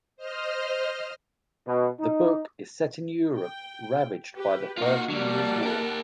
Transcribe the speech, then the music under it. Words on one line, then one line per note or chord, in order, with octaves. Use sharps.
The book is set in Europe ravaged by the Thirty Years' War.
C5 D#5 F6
B2
D#4
G5
G4 B4
A#3 D#4 F4 F#4 F5
F#3 G3 A#3 F#5 A5
G4 A#4